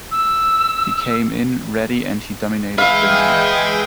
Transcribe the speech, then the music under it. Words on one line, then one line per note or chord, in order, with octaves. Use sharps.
He came in ready and he dominated the league.
E6
G#3 G#4 B4 E5 F5 G5